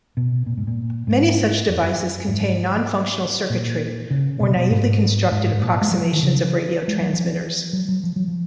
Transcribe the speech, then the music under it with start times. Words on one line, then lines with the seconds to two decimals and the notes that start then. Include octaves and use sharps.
Many such devices contain non-functional circuitry or naively constructed approximations of radio transmitters.
0.17 B2
0.46 A#2
0.57 G#2
0.67 A#2
1.07 G#2
1.68 F2
1.83 F#2
2.28 G#2
3.50 A#2
4.11 C#3
4.40 B2
4.56 B2
4.70 G#2
5.31 G#2
5.53 G#2
5.61 A#2
5.81 G#3
5.92 F#3
6.02 F3
6.13 D#3
6.23 C#3
6.37 F3
6.88 G#3
7.00 F#3
7.13 F3
7.73 F#3
7.88 F#3
8.04 F3
8.16 F#3
8.28 F3